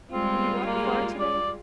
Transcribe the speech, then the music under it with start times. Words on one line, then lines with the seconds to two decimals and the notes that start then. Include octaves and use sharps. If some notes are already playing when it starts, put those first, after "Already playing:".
"Have you walked far to-day?"
0.11 G3 G#3 C4 F4
0.66 A#3
1.19 D5